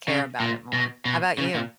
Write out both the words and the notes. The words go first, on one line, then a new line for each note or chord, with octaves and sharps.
care about it more. How 'bout you?
C#3
A#2
B2
B2
C#3
A#2